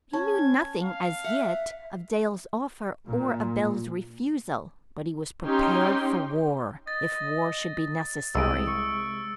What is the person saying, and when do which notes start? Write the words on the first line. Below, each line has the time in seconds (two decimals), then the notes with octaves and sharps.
He knew nothing as yet of Dale's offer, or of Bell's refusal, but he was prepared for war, if war should be necessary.
0.13 C#4 A5 G#6
0.83 F5
1.24 E5 F#5
3.06 A#2
5.44 C#4 D#4 G4 G5 C6
6.87 D#5 A6
8.35 C2 G#3 D#6 E6 D7
8.67 C#6